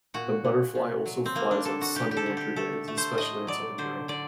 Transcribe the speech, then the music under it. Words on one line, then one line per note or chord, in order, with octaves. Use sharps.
The butterfly also flies on sunny winter days, especially in southern Europe.
A#2 F#4
A#2
C3
F#3
C4
G3 A#3
D4
D3 A4
F#4
G3 G4
G4
A4
D3
G4
A3 A4
A3
C5
A2 D#5
F#3 D5
D3 C5
D3 D5